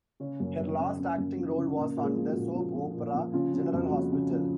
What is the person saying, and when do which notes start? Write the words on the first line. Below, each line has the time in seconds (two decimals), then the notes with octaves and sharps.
Her last acting role was on the soap opera "General Hospital".
0.20 C#3 C#4 C#5
0.40 F#2
0.59 F#2
0.79 C#3
0.99 C#3
1.18 F#2
1.38 F3
1.57 C#3
1.76 A#2 A#3 A#4
1.97 A#2
2.03 G#3 G#4
2.16 F3
2.29 F#4
2.36 A#2
2.55 F3
2.75 F3
2.94 A#2
3.14 F3
3.33 C#3 F4
3.54 F3
3.60 F#4
3.73 F2
3.86 F#4
3.92 F2
4.12 C#3
4.31 F3